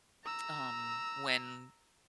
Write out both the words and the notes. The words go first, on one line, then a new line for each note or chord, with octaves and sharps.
um, when
A#5 E6